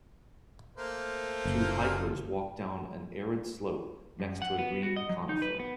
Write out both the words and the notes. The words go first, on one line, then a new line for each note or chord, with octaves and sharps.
Two hikers walk down an arid slope next to a green conifer.
A3 A#3 C5
F#1
F#2
F#5
B3
F#4
D#5
F#3
D#4
B4
B3